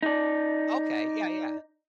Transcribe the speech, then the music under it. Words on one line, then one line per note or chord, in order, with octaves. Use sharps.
Okay, yeah, yeah.
D#4 D5